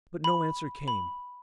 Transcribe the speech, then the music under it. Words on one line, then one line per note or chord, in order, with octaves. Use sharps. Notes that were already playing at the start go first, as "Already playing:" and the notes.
But no answer came.
B5
B5